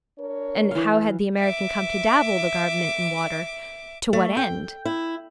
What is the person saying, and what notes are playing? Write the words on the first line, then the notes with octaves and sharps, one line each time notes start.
And how had the American come to dabble the garment in water--to what end?
D4 A#4 C#5
E3 F5
E5 D6
A3
G5
E4